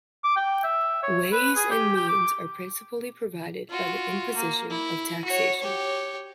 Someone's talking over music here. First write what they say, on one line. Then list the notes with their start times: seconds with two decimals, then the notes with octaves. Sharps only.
Ways and means are principally provided by the imposition of taxation.
0.24 D6
0.36 G5
0.64 E5
1.03 C#5
1.32 B4
1.56 G#4
1.71 G4
1.97 G4
2.09 D6
3.69 F4 F#4
4.36 A#3
4.70 E4
5.24 F#4 C#5
5.59 G4 C#5